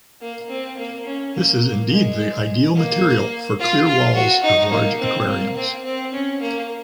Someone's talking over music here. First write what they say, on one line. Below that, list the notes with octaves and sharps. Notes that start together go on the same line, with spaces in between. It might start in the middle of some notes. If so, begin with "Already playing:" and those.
This is indeed the ideal material for clear walls of large aquariums.
A#3
C4
A#3
C#4
A#3
G#3
A#3
F4
F4
F#4
D#4
A#3
C4
A#3
C4
C4
C#4
A#3